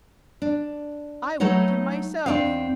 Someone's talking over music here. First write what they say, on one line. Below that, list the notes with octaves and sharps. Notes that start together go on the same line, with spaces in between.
"I will meet him myself!"
D4
F#3 A3 D#4 B4 C#5 F#5
E2 C#3 C4 D4 D#4 F5